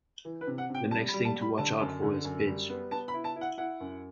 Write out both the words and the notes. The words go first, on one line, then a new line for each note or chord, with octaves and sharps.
The next thing to watch out for is bed sores.
E3
B4
C3
F#5
C3 G5
G3 A5
B5
G3
A5
G3
B5
D3 A5
F#2
D3
F#2
G3
B3
B3 A5
B5
E4
A5
E4
F#5
E4 F#5
F#2